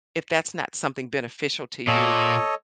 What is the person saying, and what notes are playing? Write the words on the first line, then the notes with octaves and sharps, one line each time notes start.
if that's not something beneficial to you,
A#2 A4 C#5 D#5